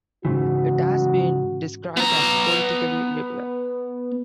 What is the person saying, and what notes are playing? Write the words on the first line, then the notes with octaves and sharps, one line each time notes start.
It has been described as politically liberal.
G#2 C#3 E3 F#4
B3 A#5